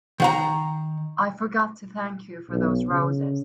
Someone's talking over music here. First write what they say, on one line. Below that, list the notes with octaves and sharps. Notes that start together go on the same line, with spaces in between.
I forgot to thank you for those roses.
D#3 F#5 A#5
B1
C#3